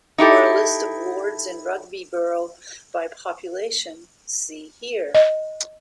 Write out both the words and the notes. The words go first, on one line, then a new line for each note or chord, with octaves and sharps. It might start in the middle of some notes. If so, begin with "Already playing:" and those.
For a list of wards in Rugby borough by population see here.
D#4 E4 G4 A4
D#5